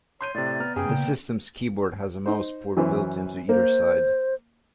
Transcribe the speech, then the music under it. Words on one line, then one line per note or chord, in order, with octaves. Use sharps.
The system's keyboard has a mouse port built into either side.
C#5 C6 G6 D#7
A2 C3 D5
B3 A#5 F6
F#2 C#3 G#4 G5
A#2 C#3
D#4 C5
F#2 E3 C5
A#3 C5